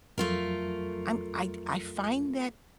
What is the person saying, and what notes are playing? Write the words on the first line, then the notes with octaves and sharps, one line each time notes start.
I'm I'd I find that,
F2 F#3 A3 F4 A#4